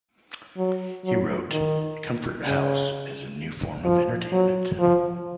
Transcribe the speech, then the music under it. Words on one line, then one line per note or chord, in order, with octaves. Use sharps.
He wrote: Comfort House is a new form of entertainment.
F#3
F#3
D#3
C#3
F3
F#3
F3